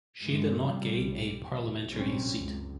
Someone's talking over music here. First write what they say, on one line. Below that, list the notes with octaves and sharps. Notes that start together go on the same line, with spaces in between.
She did not gain a parliamentary seat.
G2 E3 G#3
C3 F3 G3
B1 G3
D#2
A#1 C3 G3 C4 C#4
C#2 F#2